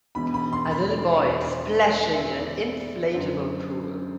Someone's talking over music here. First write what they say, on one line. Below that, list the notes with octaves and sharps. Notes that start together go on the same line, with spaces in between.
A little boy is splashing in an inflatable pool.
E1 E2 B2 B5
B5
C6
B5
D5
D5
D5
C5
D5
E5
D5
F#1 F#2 D3 C5